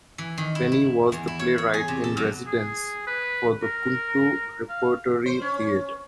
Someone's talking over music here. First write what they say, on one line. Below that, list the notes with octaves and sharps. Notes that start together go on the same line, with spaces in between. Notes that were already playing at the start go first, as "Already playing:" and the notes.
Penny was the playwright-in-residence for the Kuntu Repertory Theatre.
E3
D#3
E4
E4
E2
E4
C#5
C#5
G#4
C3
A4
F#3
G#4
B4
A#4
F5
C5
C#4